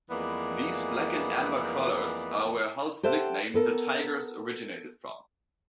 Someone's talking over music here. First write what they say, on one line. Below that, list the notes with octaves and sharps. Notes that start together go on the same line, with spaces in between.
These black and amber colours are where Hull's nickname, "The Tigers", originated from.
F2 E3 G#3 A#3 B3 D5
G4 A4 C5 E5 F#5
B3 A4 A#4